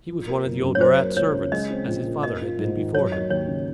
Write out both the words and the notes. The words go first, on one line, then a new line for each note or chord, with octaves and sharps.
He was one of the old Murat servants, as his father had been before him.
F3
A#3
F#1
F#2
C#5
F#3 C5
A#3
C#2 C#5
C#3
G#3 D#5
C4
A#1
A#2
A#3 D#5
F4
G#2
D#3
F#3 C#5
A#3 D#5
D#2 C#5
C#3